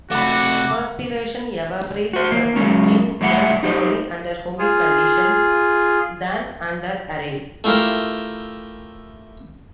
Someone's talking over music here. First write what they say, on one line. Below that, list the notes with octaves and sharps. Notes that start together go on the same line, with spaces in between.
Perspiration evaporates from the skin more slowly under humid conditions than under arid.
C3 A3 F#4 F#5 B5 D6
F#4 C5
A#3
F#3 G#3 C#4
A2 G3 E4 E5 F#5
D#4 G4 C5
F4 G#4
A3 E4 F4 G4 A#4